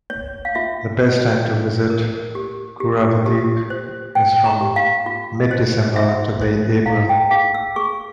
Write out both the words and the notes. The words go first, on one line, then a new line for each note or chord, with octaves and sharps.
The best time to visit Kuruvadeep is from mid December to late April.
C#5
F5
F4 E5
C#5
C#5
A#4
G4
G4
G4
C5
C5 G5
A#5
G4
F5
F4
C5
F4 E5
C5
E4 F5
G5
G#4 F5
E6
G#4 C#6